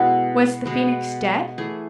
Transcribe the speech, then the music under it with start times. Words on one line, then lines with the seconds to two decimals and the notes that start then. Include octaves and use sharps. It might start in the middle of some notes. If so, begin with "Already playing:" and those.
Was the Phoenix dead?
Already playing: B2 G#3 B3 E4 A4
0.65 B2 G#3 B3
1.58 E3 A3 G#4